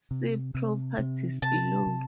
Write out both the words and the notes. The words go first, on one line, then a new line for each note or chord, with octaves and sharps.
See Properties below.
C3
C3
C3
C3 A5
C3